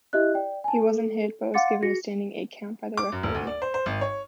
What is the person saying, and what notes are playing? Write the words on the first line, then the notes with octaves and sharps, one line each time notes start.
He wasn't hit, but was given a standing eight-count by the referee.
E4 G4 D#5 E5 F#6
D5 G5
G#5 A5
A4
F5 F#5 C6 D6 A6 C#7
F#4 G#4 A#6 C#7
D6
F#2
D#1
D2
D5
C5
C5
G#1
C#5